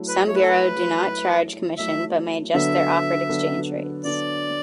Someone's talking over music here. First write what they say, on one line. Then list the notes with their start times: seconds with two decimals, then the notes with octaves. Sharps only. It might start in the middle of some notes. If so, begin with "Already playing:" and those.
Some bureaux do not charge commission but may adjust their offered exchange rates.
Already playing: F#3 A3 E4
0.08 B4
0.28 F#3 A3 E4 C#5
0.35 B4
0.42 A4
0.49 B4
1.03 F#3 A3 E4
1.78 F#3 A3 E4 E5
2.54 D3 F#3 B3 D4 A4 E5
3.29 D3 F#3 B3 D4 A4
4.04 D3 F#3 B3 D4 A4 D5